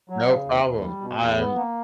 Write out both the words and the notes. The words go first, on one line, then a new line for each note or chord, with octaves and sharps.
No problem, I'm
F#3
C#3
D#2
D#2
G3
B2
E2
B3
A#3